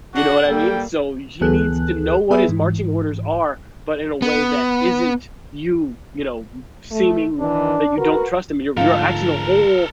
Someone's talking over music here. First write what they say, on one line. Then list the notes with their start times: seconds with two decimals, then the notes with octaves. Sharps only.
You know what I mean? So, y he needs to know what his marching orders are, but in a way that isn't you, you know, b seeming that you don't trust him. You're you're actually, the whole
0.14 D4 F#4 F#5
0.48 G3 A#3 A4 G5
1.41 D2 E3 B3 G#4 A4 F#6
2.30 B3 G#4 B4 E5
2.48 G#2 E3
4.22 B3
6.92 A3
7.40 D#3 E3 D4
7.98 F#4 A#4 B4
8.77 D2 G#2 F3 A4 A#4 F5